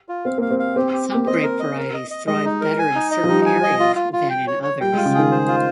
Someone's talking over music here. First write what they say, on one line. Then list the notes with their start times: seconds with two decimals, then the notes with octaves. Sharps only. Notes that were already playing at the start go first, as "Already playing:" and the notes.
Some grape varieties thrive better in certain areas than in others.
0.09 F4
0.25 C4 F5
0.38 A#3
0.42 F5
0.51 C4
0.59 F5
0.76 C4 G4
0.93 G4
1.10 G4
1.15 A#3
1.27 C4 D#5
1.43 A#4
1.60 D#5
1.78 A#4
1.94 D#5
2.11 D#5
2.27 G#3 D#5
2.45 D#4
2.61 A#4
2.79 G#5
2.95 D#4
3.11 D#5
3.24 F3
3.29 G3 D#4
3.46 G#5
3.63 D#5
3.80 F4
3.96 F4
4.13 F4
4.30 G5
4.47 C#5
4.63 C#5
4.81 G3 G5
4.93 G#3
4.97 F4
5.05 C#3
5.14 D#3 G#4
5.32 C5
5.48 F4